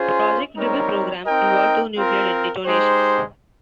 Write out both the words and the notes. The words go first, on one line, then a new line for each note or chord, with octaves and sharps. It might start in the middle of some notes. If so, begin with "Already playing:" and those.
The Project Dribble program involved two nuclear detonations.
Already playing: C#4 F4 G#4 C5
G3 C4 D#4 A#4 C#5
C4 D#4 A#4 D#5 G5
C4 F4 A#4
G#3 D#4 G4 C5